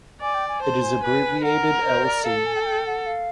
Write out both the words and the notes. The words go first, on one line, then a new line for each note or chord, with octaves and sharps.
It is abbreviated Lc.
D5 G#5
G5
G#5
C5 A5
G#5
B4
A#4 F#5
C5
D5
A4 F5
G#5
G5
G#5
G5
F#5
F5